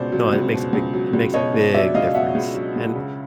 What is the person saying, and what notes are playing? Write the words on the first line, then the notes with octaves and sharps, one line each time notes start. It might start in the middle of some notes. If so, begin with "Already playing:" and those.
No, it makes a big it makes a big difference, and
Already playing: C#2 B2 C5 D5
F#3
C#2
B2
C#2
F#3
C#2
B2 C#5 D#5
C#2
F#3 D5 E5
C#2 D#5 F5
B2 E5 F#5
C#2
F#3
C#2
C#3